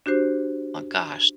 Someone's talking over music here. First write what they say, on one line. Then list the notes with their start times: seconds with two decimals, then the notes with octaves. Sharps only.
Oh gosh.
0.06 D4 F#4 G4 C5